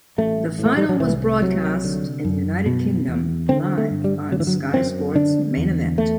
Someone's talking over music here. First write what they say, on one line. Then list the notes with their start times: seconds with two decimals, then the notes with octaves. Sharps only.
The final was broadcast in the United Kingdom live on Sky Sports Main Event.
0.18 A1 A3
0.59 A2
0.66 A3
0.77 G3
0.89 F#3
1.00 C2 E3
1.42 C3 F#3
1.84 D3
2.25 F#2
2.66 B2
3.08 E2
3.49 D3 C4
3.78 A3
3.91 G2
4.04 G3
4.32 D3 F#3
4.40 E3
4.47 F#3
4.74 F#2 C4
5.15 D3 D4
5.57 E2
5.98 A3